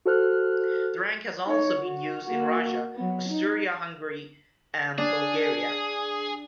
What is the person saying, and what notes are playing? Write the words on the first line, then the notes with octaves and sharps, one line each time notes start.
The rank has also been used in Russia, Austria-Hungary, and Bulgaria.
F#4 A4 C5 F6 F#6
D#4 C#5
F#4
A#3 F#4
F#3 B3
D#4
D4 G#4